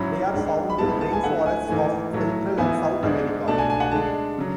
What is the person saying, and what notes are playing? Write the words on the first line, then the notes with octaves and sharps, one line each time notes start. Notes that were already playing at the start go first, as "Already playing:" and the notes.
They are found in rainforests of Central and South America.
Already playing: G#2 F#3 C#4 E4 B5
G#2 G#3 D4
B5
G#2 G#3 B3 E4 A5
B5
A5
G#5
D3 A3 E4 F#5
G#5
G#2 E3 A3 G#5
A2 F#3 A3 E4
G#2 E3 B3 E4 G#5
G#2 G#3 D4
B2 A3 D4 A5
G#5
G#5
F#5
D3 G#3 D4 A5
C#3 F#3